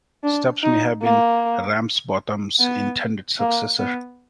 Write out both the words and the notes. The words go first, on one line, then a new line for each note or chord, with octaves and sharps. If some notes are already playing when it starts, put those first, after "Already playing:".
Stubbs may have been Ramsbottom's intended successor.
D4
D#4
A#3
B3
A#3
B3